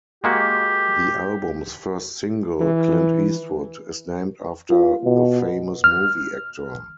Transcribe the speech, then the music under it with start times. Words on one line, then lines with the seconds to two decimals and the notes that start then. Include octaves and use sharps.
The album's first single "Clint Eastwood", is named after the famous movie actor.
0.24 G#3 A#3 F#4 G4
2.60 E3
4.70 F4
5.04 B2
5.84 F6